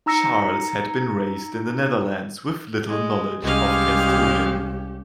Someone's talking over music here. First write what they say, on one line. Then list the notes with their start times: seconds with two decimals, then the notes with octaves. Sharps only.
Charles had been raised in the Netherlands with little knowledge of Castilian.
0.06 D#4 A#5 E6 A#6 C#7
2.88 G#3
3.42 C2 G#3 C#4 G4 F5